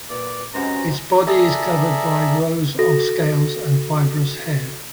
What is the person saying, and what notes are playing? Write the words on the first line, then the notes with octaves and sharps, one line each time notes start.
Its body is covered by rows of scales and fibrous hair.
A#2 B4 D5
F#2 C3 G#3 C#4 B4 C5 F#5 A#5
G#4 A4 D5 E5 A#5 B5
F#4 A4 A#6